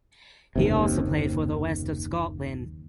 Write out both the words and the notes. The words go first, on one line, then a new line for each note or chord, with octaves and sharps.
He also played for West of Scotland.
F#1 D#2 C3